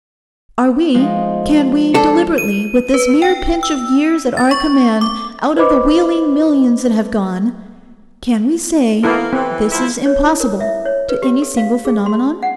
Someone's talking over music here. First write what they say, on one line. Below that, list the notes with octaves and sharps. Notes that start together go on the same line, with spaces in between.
Are we--can we, deliberately, with this mere pinch of years at our command out of the wheeling millions that have gone--can we say, "This is impossible," to any single phenomenon?
F3 G#3 D#4
D4 A4
D#7
B4
G5
E6
A6
C#6
D6
B4 C5 D#5 B5 D6
A#3 B3 E4 A4
E3 C4
F2 F3 E4
C#5
E4
A#4
E5
C#5
B4
G4
A4
F5
G#4
C6
F#5